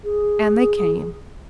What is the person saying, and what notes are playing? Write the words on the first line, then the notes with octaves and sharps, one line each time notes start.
And they came.
G#4